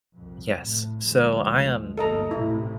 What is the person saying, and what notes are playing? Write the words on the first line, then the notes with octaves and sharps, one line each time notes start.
Yes. So I am
C2 F2
A2
D2 F3 G#3
G1 D#2 F3 A4 D#5 A#5
A1 A2 C3 E4